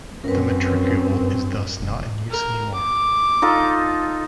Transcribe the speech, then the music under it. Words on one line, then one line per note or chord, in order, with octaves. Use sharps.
The matricule is thus not in use anymore.
F#2 C4 C#4 A#4 B4
G2
F1
A#4
D6
D#4 F4 A4